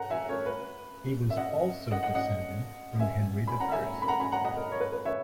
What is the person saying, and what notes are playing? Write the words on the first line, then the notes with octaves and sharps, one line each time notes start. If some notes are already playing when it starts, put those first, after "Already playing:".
He was also descended from Henry the First.
Already playing: F#5 A#5
E5 G#5
A#4 C#5
B4
E5
D#5 F#5
D#5 F#5
D#5 F#5
D#5 F#5
E5 G#5
G#5 B5
F#5 A#5
E5 G#5
B5
F#5 A#5
G#5 B5
F#5 A#5
D#5 F#5
A#4
C#5
B4
B4
C#5 E5